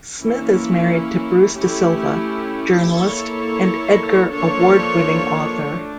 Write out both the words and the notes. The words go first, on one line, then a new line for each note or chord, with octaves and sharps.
Smith is married to Bruce DeSilva, journalist and Edgar Award-winning author.
E3 A#3 C#4 E4
A3 C#4 E4 G4
A#3 E4 A4 C#5
F3 A#3 D4 A4 C#5
A3 D4